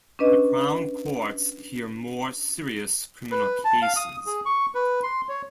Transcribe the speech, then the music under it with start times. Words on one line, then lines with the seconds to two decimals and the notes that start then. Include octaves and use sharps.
The Crown Courts hear more serious criminal cases.
0.19 C#4 D4 B4 D#5
3.31 B4
3.64 A5
3.82 F5
3.96 D#6
4.26 G#4
4.46 C#6
4.75 B4
5.03 C6
5.29 C#5